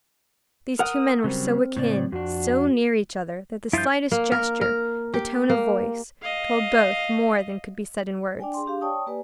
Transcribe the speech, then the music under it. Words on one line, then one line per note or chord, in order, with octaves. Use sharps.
These two men were so akin, so near each other, that the slightest gesture, the tone of voice, told both more than could be said in words.
A#4 F#5 D#6
C#3 F#3 G3 C4
A2 C#3 D5
F2 D4 F#4
G2 F3 E4 F4 G6
A#3
A#4
A#4
G4
A#3
D#5 F5
D4 D5 G5 G#5
G#4 C6
D4 G4 F5
C#5 D5 G5 A5 C#6 D#6
A#3 G4 B4 D5 G#5